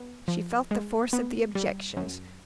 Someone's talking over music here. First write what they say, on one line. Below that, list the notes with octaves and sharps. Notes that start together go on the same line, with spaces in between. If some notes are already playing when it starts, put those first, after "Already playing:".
She felt the force of the objections.
Already playing: B3
F3
G#3
B3
G3
F#2